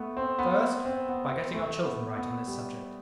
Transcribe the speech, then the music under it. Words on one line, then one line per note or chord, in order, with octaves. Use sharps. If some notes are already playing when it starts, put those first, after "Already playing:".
First, by getting our children right on this subject.
Already playing: A3 B3
C4
B3
C4
B3
B3
A3
B3
B3
G3